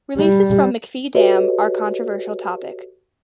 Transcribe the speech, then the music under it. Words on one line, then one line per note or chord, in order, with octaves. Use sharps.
Releases from McPhee Dam are a controversial topic.
G3
F#4 G4 A4 B4 C#5 D#5